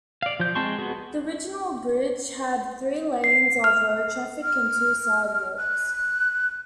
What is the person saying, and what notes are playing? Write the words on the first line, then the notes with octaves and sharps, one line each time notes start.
The original bridge had three lanes of road traffic and two sidewalks.
D5 F5
F3 G6
G#3 C4 A5 C6 C#6
B3 F#4 G#4
C7
F6
F6
F#6